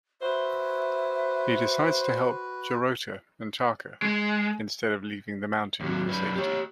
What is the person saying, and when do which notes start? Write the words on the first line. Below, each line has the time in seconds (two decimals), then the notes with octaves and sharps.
He decides to help Jurota and Taka instead of leaving the mountain for safety.
0.21 F#4 B4 C5 E5
4.02 G#3
5.81 D#2 F#3
6.07 F#2 B4
6.35 G4 C#5